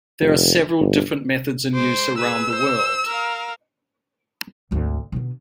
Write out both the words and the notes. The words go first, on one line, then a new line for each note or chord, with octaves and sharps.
There are several different methods in use around the world.
F1
G1
G#3 C5 D6
G#4 B4 E6
C5
A#4 F5
G#1 D2
B2 D3